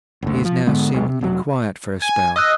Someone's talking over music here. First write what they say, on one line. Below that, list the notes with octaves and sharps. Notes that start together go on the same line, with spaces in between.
He is now seemingly quiet for a spell....
F#1 D2
F3
G#2 D3 G#3 B3
D#1 B1 G#3
C3
F1 B2 F#3
G#5
D#5 D#6 E6 F#6